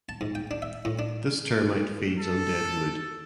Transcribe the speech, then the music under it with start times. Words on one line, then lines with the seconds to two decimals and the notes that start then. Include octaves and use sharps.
This termite feeds on dead wood.
0.09 A5
0.21 G#2
0.35 G5
0.51 D4
0.62 E5
0.85 A2
0.99 D4
2.19 A4